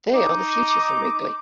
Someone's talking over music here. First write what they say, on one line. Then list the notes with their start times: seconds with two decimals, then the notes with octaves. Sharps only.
They are the future for Wrigley.
0.14 D#4 D6